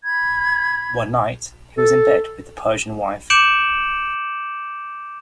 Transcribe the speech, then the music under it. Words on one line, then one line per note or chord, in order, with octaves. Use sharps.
One night, he was in bed with the Persian wife.
B5 G#6
A4
D6 G6 C#7 D7 E7 F#7